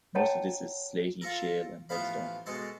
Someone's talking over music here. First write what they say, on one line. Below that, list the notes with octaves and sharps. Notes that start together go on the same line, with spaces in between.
Most of this is slaty shale and mudstone.
C#5 D#5 F#5 G5 A5 A#5
F4 A4 A#4
A1 F3 B3 C5 F5 B5
B2 G#3 A4 C6